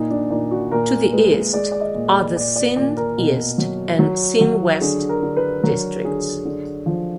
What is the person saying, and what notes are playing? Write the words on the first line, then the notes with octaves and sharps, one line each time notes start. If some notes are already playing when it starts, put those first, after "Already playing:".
To the east are the Sene East and Sene West districts.
Already playing: A#2 D#4
D4
A#2 D#4
F#4
A#2 A#4
G#3 B4
G#3 D5
D5
D#5
A#2
D5
A#2 D5
D5
A#2 D5
A#4
B2
F#3
F#3
F#3
D3 G#4
A#4
D3
B4
F#3 A#4
D3 G#4
D3
F3